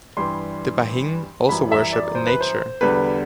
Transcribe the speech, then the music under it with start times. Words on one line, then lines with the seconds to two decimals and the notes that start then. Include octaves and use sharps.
The Bahing also worship in Nature.
0.17 G2 E3 G3 C6
1.49 F#2 E3 G3 B5
1.72 E5
1.93 D5
2.15 C5
2.27 B4
2.41 C5
2.81 E2 D3 G3 B4